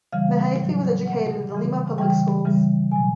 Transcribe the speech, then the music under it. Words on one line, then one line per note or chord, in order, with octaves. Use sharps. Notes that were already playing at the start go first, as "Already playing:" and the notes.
Mehaffey was educated in the Lima public schools.
C#3 E3 G3 F5
A2 F#3
C3 D#3 F#3 F#5
C#3 E3 G3
C#3 E3 G3 G5
C#3 E3 G3
B2 F#3 G#5